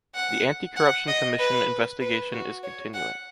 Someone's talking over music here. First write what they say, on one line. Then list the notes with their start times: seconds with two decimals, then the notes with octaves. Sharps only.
The Anti-Corruption Commission investigation is continuing.
0.15 F#5
0.76 F#5
1.08 D#5
1.39 B4
2.01 B4
2.32 F#4
2.63 C#5
2.94 F#5